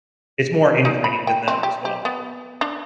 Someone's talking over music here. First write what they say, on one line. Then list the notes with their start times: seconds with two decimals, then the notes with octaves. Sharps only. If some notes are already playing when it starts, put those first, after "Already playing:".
it's more ingrained in them as well.
0.85 D#4
1.04 B5
1.27 G5
1.48 C4
1.63 G4
1.85 G4
2.05 B3
2.61 D4